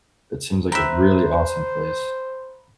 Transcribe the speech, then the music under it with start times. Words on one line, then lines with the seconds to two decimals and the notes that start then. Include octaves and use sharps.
It seems like a really awesome place.
0.72 C5 E5 G5 A#5 B5 F#6